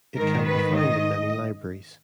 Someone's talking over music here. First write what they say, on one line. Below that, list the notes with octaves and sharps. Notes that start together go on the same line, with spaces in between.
It can be found in many Libraries.
G#2 D#3 A#4
B4
D#5